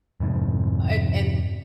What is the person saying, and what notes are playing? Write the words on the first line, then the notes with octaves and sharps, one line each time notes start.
and and
F2 G#2 C3